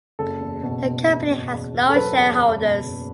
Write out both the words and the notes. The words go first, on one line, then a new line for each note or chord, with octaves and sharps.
The company has no shareholders.
F#1 A4
E2
B2
B2
E2
B2
E2
E2
A4
F#3 B4
E2
F#1
B2
F#1